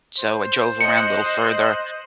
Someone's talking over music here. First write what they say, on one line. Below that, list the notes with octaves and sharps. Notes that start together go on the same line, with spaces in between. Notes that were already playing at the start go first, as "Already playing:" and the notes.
So, I drove around a little further,
C5
D#5 F#6 C#7